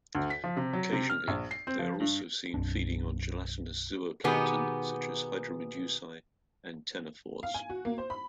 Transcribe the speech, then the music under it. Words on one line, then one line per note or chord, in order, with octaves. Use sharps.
Occasionally, they are also seen feeding on gelatinous zooplankton such as hydromedusae and ctenophores.
D2
B6
F3
C3
F#3
C3
F6
A#1
C7
C4
F3
G2
B1 F#2 C4 D4
B2 D#3 B3 G4 G#4
F5
G#5
F#4
A#3
C5
B5